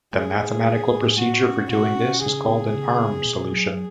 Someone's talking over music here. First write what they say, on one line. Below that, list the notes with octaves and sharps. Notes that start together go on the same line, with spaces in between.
The mathematical procedure for doing this is called an arm solution.
A3 G#4
A3
A3
A2
A3 F#4
C#4
B2 F#4
C#4
C#3 G#4
B3
C#3
B3
B2
F#3